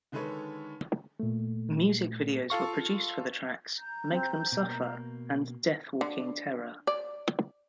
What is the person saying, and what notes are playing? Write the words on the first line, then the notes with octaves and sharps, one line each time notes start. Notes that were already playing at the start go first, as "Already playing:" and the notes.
Music videos were produced for the tracks "Make Them Suffer" and "Death Walking Terror".
D3 D#3 G#3 A4 B4 C#5
A#2 A3
F4 A4 F5 C#6
A#5 G6
C4
B2 A#3
D3
D5